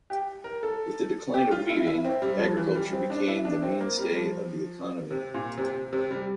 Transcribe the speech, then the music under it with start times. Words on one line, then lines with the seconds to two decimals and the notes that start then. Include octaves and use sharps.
With the decline of weaving, agriculture became the mainstay of the economy.
0.10 G4
0.44 A#4
0.63 A4
1.34 G4
1.51 F4
1.69 E4
1.87 E4
2.05 C4
2.22 G3
2.39 F3
2.57 E3
2.75 G3
2.93 C4
3.10 D4
3.28 E4
3.45 D4
3.63 C4
3.80 A#3
3.99 G3
4.16 F3
5.11 C3
5.34 A#2
5.58 C3
5.93 C3
6.11 G3